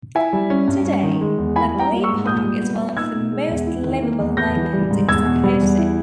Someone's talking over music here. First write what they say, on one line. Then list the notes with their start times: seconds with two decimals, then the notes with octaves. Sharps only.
Today, Naglee Park is one of the most livable neighborhoods in San Jose.
0.15 E4 E5 G#5
0.33 G3
0.50 C#4
0.68 G2
0.85 C#4
1.03 D#3
1.21 G#3
1.38 E2
1.56 E4 G#5 B5
1.74 G3
1.79 G5 A#5
1.92 A#3
2.04 C#6 E6
2.09 G#2
2.26 A#2 D#6 G6
2.44 G3
2.61 B3
2.79 A#2
2.97 D#4 E6 G#6
3.15 B2
3.32 G#3
3.49 E2
3.67 E4
3.85 D#3
4.03 A#3
4.19 E2
4.37 B3 G6 A#6
4.56 E3
4.73 G3
4.91 G#2
5.09 E2 E6 G#6
5.25 B2
5.44 G3
5.61 E2
5.78 E4